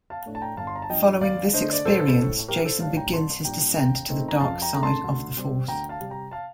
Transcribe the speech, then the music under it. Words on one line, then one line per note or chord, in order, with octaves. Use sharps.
Following this experience, Jacen begins his descent to the dark side of the Force.
F5 A5
A2 A3 D4
A5
G5 A#5
G1 F5 A5
C6
A#5
A5
G2 F3 D#5 G5
D#2 D5 F5
D3 A3 D4 C5 D#5
D5
A#1 A4 C5
A2 A3
A#1 G4 A#4
A4 C5
A2 G3 D4 F5 A5
G5 A#5
C2 A5 C6
A#2 G3 D4 G5 A#5
D#2 G5 A#5
D#3 A3 C4 D#4
A#5
F2 F5 A5
G5 A#5
D3 A3 A#5
A5 C6
D2
C3 G3 C4
D2 G5 A#5
F5 A5
C3 G3
G5 A#5
F5 A5